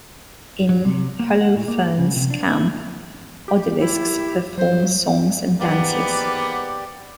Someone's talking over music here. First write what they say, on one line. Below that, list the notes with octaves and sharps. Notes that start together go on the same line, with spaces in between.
In Holofernes' camp, odalisques perform songs and dances.
F#3
C3
A#3
F#5
A2
A#3
C#3
C3
D4
E4
G4
E4
F#3 C5
G#2 A#3 B3 G4 D5